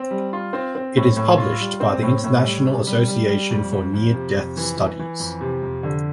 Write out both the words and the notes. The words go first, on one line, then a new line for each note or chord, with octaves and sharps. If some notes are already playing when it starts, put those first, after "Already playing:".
It is published by the International Association for Near-Death Studies.
Already playing: C4
G3
F4
C4
C4
A2
A2
F4
G3
C4
A2
A2
G3
C3
G3
G3
G3
F2
F2
F2
C3
F2
E3
E3
E3
F2
C3
F2
D3